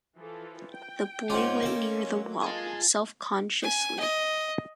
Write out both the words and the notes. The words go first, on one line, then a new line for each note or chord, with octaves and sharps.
The boy went near the wall, self-consciously.
E3 F3 A4
G5
G#2 C#4 F4 D#5 C6 D6
A#3 A4
F#3
F4 G#4 D#5 G#5 A5
G#5
D#5